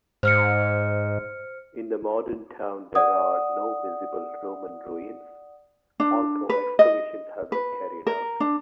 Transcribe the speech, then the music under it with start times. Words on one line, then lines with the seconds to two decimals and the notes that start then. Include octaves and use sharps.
In the modern town there are no visible Roman ruins, although excavations have been carried out.
0.23 G#2 C5 F6 C#7
2.95 D5 F#5 D#6
6.00 D4
6.49 B4
6.79 D#5
7.52 B4
8.07 A#4
8.40 D4